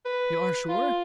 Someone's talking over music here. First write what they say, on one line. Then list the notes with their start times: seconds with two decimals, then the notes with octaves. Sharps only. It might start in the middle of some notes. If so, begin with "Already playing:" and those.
"You are sure?"
0.05 B4
0.69 F4